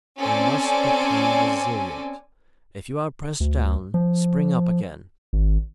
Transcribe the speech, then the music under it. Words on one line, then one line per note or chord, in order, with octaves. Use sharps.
You must become resilient; if you are pressed down, spring up again.
C4 C#4 A4 D5 G#5
D2
F3
G#1